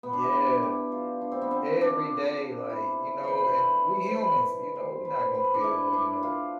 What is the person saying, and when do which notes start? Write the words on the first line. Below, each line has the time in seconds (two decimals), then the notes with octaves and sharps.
Yeah, e e every day, like, you know, and we humans, you know, we not gonna feel, you know
0.03 B3
0.13 D4
0.24 E4
0.33 G4
0.63 G4
0.92 F4
1.21 D4
1.32 C4
1.42 B3
1.51 C4
1.81 D4
2.70 E4
3.23 B4 C5
3.38 C5
3.48 B4
3.57 A4
4.07 C5
4.17 B4
4.75 C5
5.05 B4
5.20 C5
5.35 B4
5.45 A4
5.54 D4
5.64 E4
5.93 D4
6.23 F4